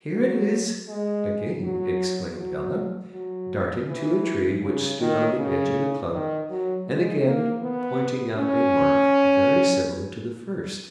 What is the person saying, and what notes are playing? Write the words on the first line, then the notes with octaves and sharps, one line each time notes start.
"Here it is," again exclaimed Ella, darting to a tree which stood on the edge of the clump, and again pointing out a mark very similar to the first.
F#3
G#3
F#3
F#3
F#3
E3
C#3
D#3
C#3
D#3
F#3
G#3
A#3
B3
C#4